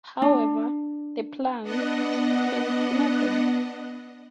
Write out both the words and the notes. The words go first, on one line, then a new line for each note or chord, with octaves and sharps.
However, the plans came to nothing.
D4
B3 D4 D#5 F#5